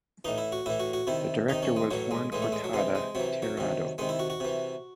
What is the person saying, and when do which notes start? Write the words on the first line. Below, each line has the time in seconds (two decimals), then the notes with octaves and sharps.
The director was Juan Cortada Tirado.
0.25 A2 E3 D#4
0.38 E4
0.52 F#4
0.66 A2 E3 E4
0.80 F#4
0.93 F#4
1.07 C3 D#3 E4
1.49 C3 D#3 D#4
1.63 C#4
1.76 G#3
1.91 A2 E3 F#3
2.11 G#3
2.32 A2 E3 G#3
2.42 A3
2.52 G#3
2.64 F#3
2.73 C3 E3 G#3
2.95 G#3
3.15 C3 E3 F#3
3.42 F#3
3.57 C3 D#3
3.98 C3 D#3 G#3
4.09 E4
4.19 F#4
4.30 F#4
4.40 C3 E3